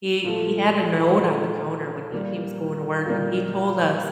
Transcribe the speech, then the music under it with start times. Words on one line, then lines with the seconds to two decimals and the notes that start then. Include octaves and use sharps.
he he had a note on the counter when he he was going to work, and he told us,
0.25 A#2 F3 A3
1.18 A#2 F3 A3
2.12 A#2 G3 A#3
3.06 A#2 G3 A#3